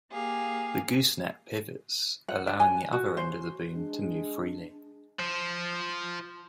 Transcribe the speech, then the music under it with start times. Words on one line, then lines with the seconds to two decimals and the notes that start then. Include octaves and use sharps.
The gooseneck pivots allowing the other end of the boom to move freely.
0.11 A#3 G4 G#4 F5
2.28 F#5
2.47 D4
2.60 G#5
2.92 F#4
3.17 C5
3.75 G#3 D4
5.19 F3